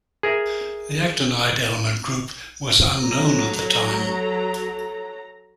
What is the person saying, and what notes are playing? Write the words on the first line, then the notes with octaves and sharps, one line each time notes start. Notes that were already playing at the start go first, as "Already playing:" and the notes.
The actinide element group was unknown at the time.
G#4 A#4 E5
F#3 A4 A#5